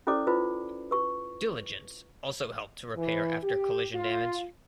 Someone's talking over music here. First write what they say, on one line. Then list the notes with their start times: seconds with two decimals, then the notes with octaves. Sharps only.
"Diligence" also helped to repair after collision damage.
0.07 C#4 E4 A4 C5 D5 D6
0.27 E4 F4 B4 C5
0.91 B4 C#6
2.97 E3
3.43 G4
3.95 F4